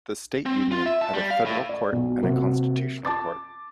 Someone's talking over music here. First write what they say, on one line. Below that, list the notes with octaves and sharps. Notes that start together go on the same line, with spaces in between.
The State Union had a Federal Court and a Constitutional Court.
C4
F4
E5
A5
G3
F5
A2
D5
B1 F#3
C3 F#3 A#3
A5 D6 A6